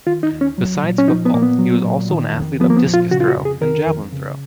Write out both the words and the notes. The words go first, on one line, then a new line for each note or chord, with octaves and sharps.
Beside football, he was also an athlete of discus throw and javelin throw.
D#3 F4
D#4
D#2
C#4
F#3
A#2
C#4
F3 D#4
B3
A#2 A#3
B3
F#3
A#2
D#3
F2
F3 B3
A#3
B3
A#2
F4
C#3 F#4
F4
F#4
F2
G#4
D#3 A#4
F2
C#3